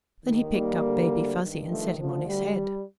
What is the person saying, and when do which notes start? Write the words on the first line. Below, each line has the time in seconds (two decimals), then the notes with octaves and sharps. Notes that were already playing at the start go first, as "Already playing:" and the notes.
Then he picked up Baby Fuzzy and set him on his head.
0.23 D#2 D#3
0.52 G3 A#3
0.82 D2 D3
1.40 G2 D#3
1.69 F3 A3
1.98 D2 D3 F3
2.28 G3